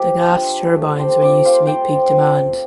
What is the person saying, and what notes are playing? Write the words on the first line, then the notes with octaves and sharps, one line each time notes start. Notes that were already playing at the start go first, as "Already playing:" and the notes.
The gas turbines were used to meet peak demand.
Already playing: F3 G4
D4 F4
A3
G4 C5
C4 F4 D5 G5
C5 F5
G3 D5 G5
C4 F4